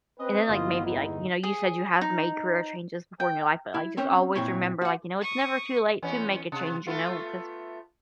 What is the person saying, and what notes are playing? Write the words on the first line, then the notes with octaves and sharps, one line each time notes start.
and then, like, maybe, like, you know, you said you have made career changes before in your life, but, like, just always remember, like, you know, it's never too late to make a change, you know? 'Cause
C4 C#4 F#4 B4 D#5
G1 A#3 B3 E4 F4 C5
E2 D#4
G#4
D#4
G5
E4
C4 C#4 C5 C#5
A#2 C4 E4 C#5
F#4 F#5
C#6 D#6
E2 B3 C#4
C3
A3 B3 F4